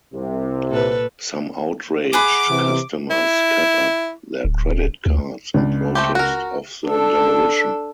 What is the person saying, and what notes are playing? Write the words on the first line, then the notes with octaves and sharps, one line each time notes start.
Some outraged customers cut up their credit cards in protest of the demolition.
C2 C3
A#2 A4 B4
G#4 F#5 B5 D6
C3 E3
E4
D1
D2
C#2 D4
A3 C4 G4
F#4 A#4
D4 A4